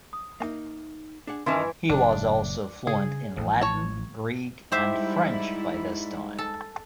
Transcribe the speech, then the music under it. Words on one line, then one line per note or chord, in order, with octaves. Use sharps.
He was also fluent in Latin, Greek, and French by this time.
D#6
A#3 D#4 E5
D4 G#4 F#5
G2 D#3 E3 C#4 E4 A5 C6
F#1 A#2 D4
C#3 G#4
A1 A2 F3
C#5 A5
G#2 G3 E4 G4 C5 E5
A4